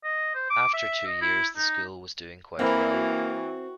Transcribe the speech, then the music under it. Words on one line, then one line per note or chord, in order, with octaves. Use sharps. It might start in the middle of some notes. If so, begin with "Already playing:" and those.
After two years the school was doing quite well.
D#5
C5
D6
E5
D#5
E4
D#4
E3 A#3 C4 A#4 B5
F#4